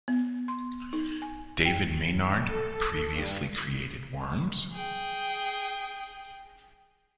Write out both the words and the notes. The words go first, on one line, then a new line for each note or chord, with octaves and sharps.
David Maynard previously created Worms?
B3
C6
D#4
G#5
G5
A4
G2
G#4 G5